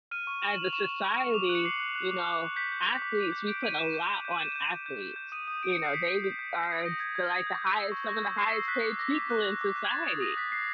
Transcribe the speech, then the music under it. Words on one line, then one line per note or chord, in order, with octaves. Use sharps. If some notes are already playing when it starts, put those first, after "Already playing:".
as a society, you know, athletes we put a lot on athletes, you know, they are, s like, the highest some of the highest paid people in society,
F6 D#7
C#6
F6 E7
F#7
F6
F7
C#6 E7
C#6
C#6
C#6
D6 F7
F#7
F#6
C#7
D6 C7
F#6
F#6
D6
F#6
F#6
G6 B6
G6
G6
D6
D6
G6
G6 D7
G6 D#7
G6 E7
G6
G6
G6
D#7
G6 E7
G6
G6
G6
G6
G6
D#6 D#7
D#6
D#6 D7
C#7
D#6
C7
G6 B6
G6
G6
G6
G6
D#6
D#6 A#6
D#6 G#6
G6 G#6
D#6 G#6
G6
G6
E6
C#6
C#6 A#6
G6
C#6 C7
E6
F#6 B6
D6
D6 A#6
D6
F#6
F#6
D6
F#6
G#6
F#6 A6
D#6
D#6 A#6
F#6 B6
F#6 C7